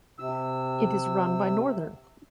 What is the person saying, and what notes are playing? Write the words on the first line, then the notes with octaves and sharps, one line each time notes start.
It is run by Northern.
C3 E6